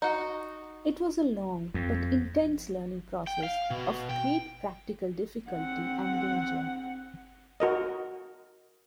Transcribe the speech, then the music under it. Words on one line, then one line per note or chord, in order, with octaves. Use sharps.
It was a long but intense learning process of great practical difficulty and danger.
D#4 F#4
F2
G5
F5
B2
G5
C4 F#5
F#4 A#4 D#5